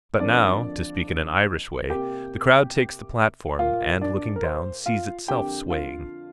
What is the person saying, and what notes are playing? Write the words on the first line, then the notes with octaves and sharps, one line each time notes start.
But now, to speak in an Irish way, the crowd takes the platform, and looking down, sees itself swaying.
F2 D3 F3 A#3 D4 D5
C3 A#3 G4 G5
A#2 A#3 F4 F5
D4 D5
A#4
C5
F4 F5
F2 D3 A#3 G4 G5
F4 F5